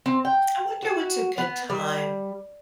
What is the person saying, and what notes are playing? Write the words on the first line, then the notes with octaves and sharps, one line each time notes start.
I wonder what's a good time
C4
G5
F#4
B3
G3